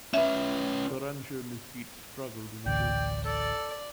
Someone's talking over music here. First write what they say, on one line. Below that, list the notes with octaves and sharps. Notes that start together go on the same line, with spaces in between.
The Rancho Mesquite struggled initially.
C#4 B4 E5
A1 D2 D5 G5
A4 D5